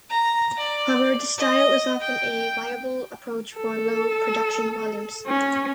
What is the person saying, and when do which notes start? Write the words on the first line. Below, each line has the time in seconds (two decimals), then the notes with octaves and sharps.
However this style is often a viable approach for low production volumes.
0.10 A#5
0.59 D5
1.38 D#5
2.00 G5
3.56 A4
5.27 C#4